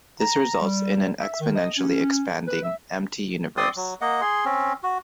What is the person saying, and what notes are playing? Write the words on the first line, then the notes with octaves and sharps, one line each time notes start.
This results in an exponentially expanding, empty universe.
A#5
G3
E5
D#3
D#5
C#4
B4
E5
C4 D5 C6 D#6
F#3
A#3 D#5 F#5
G#4 C6
C4 C#4
F#4